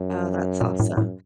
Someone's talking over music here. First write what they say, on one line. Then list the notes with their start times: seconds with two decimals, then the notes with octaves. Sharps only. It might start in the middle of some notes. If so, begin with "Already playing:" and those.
Oh, that's awesome.
Already playing: F#2
0.61 A#2
0.80 A2
0.97 A2